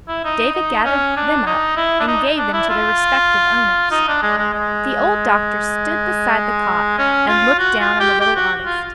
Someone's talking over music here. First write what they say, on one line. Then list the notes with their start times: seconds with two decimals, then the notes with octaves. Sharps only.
David gathered them up and gave them to their respective owners. The old doctor stood beside the cot and looked down on the little artist.
0.08 E4
0.25 D#4
0.55 D#4
0.85 C#4
1.17 D4
1.47 D#4
1.77 E4
2.00 D4
2.08 D#4
2.38 D4
2.53 E4
2.70 F4
3.91 D#4
4.08 D4
4.23 G#3
4.38 G#3
4.54 G#3
6.98 C#4
7.28 F4
7.59 F#4
7.80 F4
8.00 G4
8.21 G4
8.36 F#4
8.66 F4